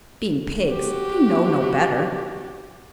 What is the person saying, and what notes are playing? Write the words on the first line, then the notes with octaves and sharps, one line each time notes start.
Being pigs they know no better.
F#4 G4